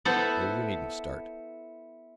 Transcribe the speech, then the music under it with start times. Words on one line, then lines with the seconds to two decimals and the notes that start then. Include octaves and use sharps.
Oh, you needn't start!
0.05 B3 E4 A4 C5